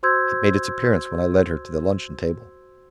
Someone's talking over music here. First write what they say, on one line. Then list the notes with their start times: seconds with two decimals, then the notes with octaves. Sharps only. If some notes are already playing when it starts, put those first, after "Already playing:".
It made its appearance when I led her to the luncheon table.
0.03 F#4 C5 C6 E6 G6 G#6